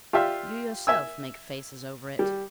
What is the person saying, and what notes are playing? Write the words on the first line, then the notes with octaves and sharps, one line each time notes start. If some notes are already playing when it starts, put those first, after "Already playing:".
You yourself make faces over it.
F4 G4 D5 E5 F5
E5 G#5 E6
G3